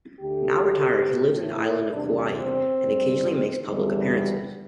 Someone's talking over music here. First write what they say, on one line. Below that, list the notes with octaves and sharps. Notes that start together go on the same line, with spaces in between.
Now retired, he lives on the island of Kaua'i and occasionally makes public appearances.
D2 D3 A3 G4
A2 A3
E4
E2 C3 G3 D4
C4
G2 G3
E2 D3 G3